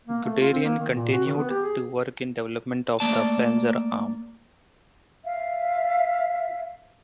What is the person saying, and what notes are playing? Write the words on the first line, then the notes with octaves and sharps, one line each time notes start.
Guderian continued to work in development of the panzer arm.
A#3
A3
F4
C4
A#3
D#3
A#2
F#4
D#3
B3
G4
G#4
A3 A#3 D5 A5
E5 F5